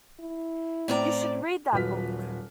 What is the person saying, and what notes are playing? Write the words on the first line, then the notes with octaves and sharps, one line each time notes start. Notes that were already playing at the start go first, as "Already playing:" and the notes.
You should read that book.
E4
A2 C4 D5 A#5
D#1 F#3 F4 B4 F6 B6